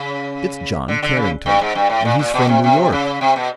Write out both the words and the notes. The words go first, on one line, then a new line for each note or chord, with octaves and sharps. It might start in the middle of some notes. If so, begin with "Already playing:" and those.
It's John Carrington, and he's from New York!
Already playing: C#3
D3
D3
C#3
G2
G#2
G2
A2
A#2
A#2
B2
C3
C3
C#3
C3
B2